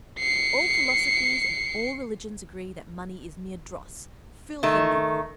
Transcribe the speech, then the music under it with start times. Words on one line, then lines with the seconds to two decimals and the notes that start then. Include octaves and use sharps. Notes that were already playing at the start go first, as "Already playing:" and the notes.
All philosophies and all religions agree that money is mere dross, filthy lucre.
0.19 C7 C#7
4.63 D#3 A3